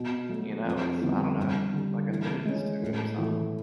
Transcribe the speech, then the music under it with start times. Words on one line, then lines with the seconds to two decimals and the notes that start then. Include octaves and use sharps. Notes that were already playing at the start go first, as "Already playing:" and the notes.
you know, it's, I don't know, like a newness to or something
Already playing: B2
0.29 F#3 A3
0.65 F2
1.01 D3 G3 B3 E4
1.38 G2
1.73 D3 G3
2.09 E3
2.45 G#3 C#4
2.82 A2
3.18 E3 A3